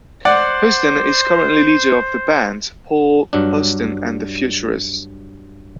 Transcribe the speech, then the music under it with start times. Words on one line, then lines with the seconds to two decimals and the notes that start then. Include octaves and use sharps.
Housden is currently leader of the band, Paul Housden and the Futurists.
0.25 C5 D5 F#5
3.33 G2 F#3 D4